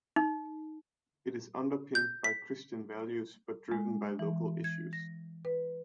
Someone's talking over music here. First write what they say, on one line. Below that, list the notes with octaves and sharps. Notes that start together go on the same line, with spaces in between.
It is underpinned by Christian values but driven by local issues.
D#4
G6
B6
G#3
E3
G#6
A#6
B4